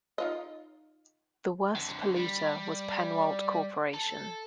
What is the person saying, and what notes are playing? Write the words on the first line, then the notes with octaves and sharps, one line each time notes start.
The worst polluter was Pennwalt Corporation.
D#4 F4 D#5
F2 D3
G3
A4